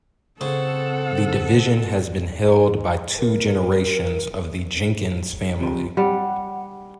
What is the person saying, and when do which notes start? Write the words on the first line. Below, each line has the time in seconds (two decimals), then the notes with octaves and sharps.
The Division has been held by two generations of the Jenkins family.
0.41 C#3 C4 A4 C5 F#5
3.19 A#4
5.60 C3 F3
5.97 G3 F#5